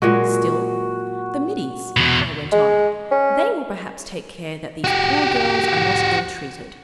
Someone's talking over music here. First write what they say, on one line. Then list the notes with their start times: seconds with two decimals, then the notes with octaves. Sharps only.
'Still--the middies,' I went on: 'they will perhaps take care that these poor girls are not ill-treated.'
0.02 A#2 F#3 G#3 F#4
1.97 E2 B2
2.52 G#3
3.11 C#4
4.84 F#4 G4